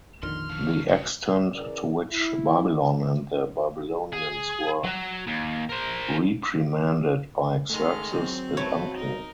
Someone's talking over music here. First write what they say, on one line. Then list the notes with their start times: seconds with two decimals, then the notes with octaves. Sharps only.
The extent to which Babylon and the Babylonians were reprimanded by Xerxes is unclear.
0.23 A#1 F2 D3 D#3 C6 F6
0.50 F3 F#3
0.89 E1 G#3 F#4
1.55 C#3 E3 A#4 D5
2.08 E4
4.13 G#4
4.84 F#3 F#4
5.27 D#2
5.70 A#4 C5
7.70 D#3 G#3 A3 F6
8.11 F#3 C4
8.57 A3 B4 C#5
8.95 D#4 A#4